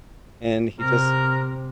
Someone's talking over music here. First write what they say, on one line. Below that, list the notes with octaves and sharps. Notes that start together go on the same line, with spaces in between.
and he just
C3 A#4